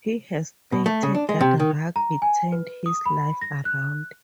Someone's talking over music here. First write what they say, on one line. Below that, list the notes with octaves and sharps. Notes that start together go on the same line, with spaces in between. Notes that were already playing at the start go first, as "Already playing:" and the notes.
He has stated that rugby turned his life around.
B2
A3
C#3
D4
G#3
C3
D#3
A#5
G#5
B4
D#6
B5
A#6
F#6